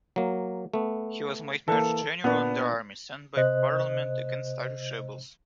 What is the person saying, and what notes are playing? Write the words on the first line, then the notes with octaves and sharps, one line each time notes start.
He was made major general in the army sent by Parliament against Irish rebels.
F#3 A#3
A3 B3
E3 A#3 A4
A#2 B3 D4
C3 C5 D#5 F#6